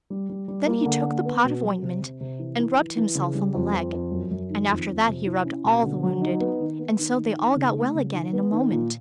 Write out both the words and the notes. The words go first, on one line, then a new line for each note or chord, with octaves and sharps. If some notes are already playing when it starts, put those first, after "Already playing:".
Then he took the pot of ointment and rubbed himself on the leg, and after that he rubbed all the wounded, and so they all got well again in a moment.
G3
G3
G3
A#3
D3
A#3
B3
B2
F#3
C3
C3
C3
E3
E3
E3
E3
C#3
G3
F2
F2
F2
F#2
F#2
D#3
F2
F2
C3
E4
C#4
B2
D3
F#3
D#4
B3
D#3
B3
D#3
D#3
D#3
C#3
A3
C#3
D#3
B3
D#3
A#2